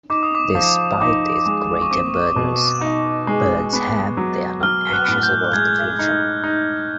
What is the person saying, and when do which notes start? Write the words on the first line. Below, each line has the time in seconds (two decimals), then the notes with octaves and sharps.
Despite these greater burdens birds have, they are not anxious about the future.
0.10 D#4 D6
0.23 D#6
0.35 D6
0.55 F3
1.01 D#4 D6
1.46 G#3
1.82 C#6
1.91 C4 D6
2.36 B2
2.81 D#4
3.27 G#3
3.73 B3
4.17 F#3
4.63 F#3 F6
4.93 F#6
5.08 A2
5.23 G6
5.53 G#3 G#6
5.99 D#4
6.44 D#4